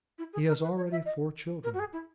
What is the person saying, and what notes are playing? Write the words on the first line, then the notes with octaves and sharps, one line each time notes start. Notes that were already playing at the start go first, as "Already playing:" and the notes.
He has already four children.
E4
G#4
A#4
B4
C#5
E5
D#5
A#4
F#4
G#4
E4